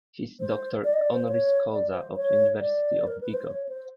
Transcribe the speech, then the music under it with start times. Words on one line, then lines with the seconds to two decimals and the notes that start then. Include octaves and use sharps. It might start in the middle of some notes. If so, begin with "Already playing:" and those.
He is Doctor Honoris Causa of the University of Vigo.
0.40 C5
0.84 D5
0.93 D#5
0.99 D5
1.13 C5
1.28 C#5
1.72 D5
1.93 C5
2.16 C#5
2.60 D5
3.07 A#4
3.21 B4
3.34 C5
3.47 C#5
3.69 C5